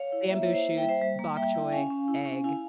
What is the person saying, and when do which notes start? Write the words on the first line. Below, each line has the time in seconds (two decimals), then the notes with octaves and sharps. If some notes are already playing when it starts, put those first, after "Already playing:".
Bamboo shoots, bok choy, egg
Already playing: C#5 F5
0.12 E4
0.29 A#3 E5
0.42 E4 C#5
0.53 C5 E5
0.66 A#3
0.77 E5 G5
0.83 G3
0.89 C5 E5
1.01 G3
1.19 A#3
1.36 G3 E5 G5
1.55 E4
1.72 C#4 F5 G#5
1.91 C#4
2.08 E4
2.26 C#4
2.44 E4 F5 G#5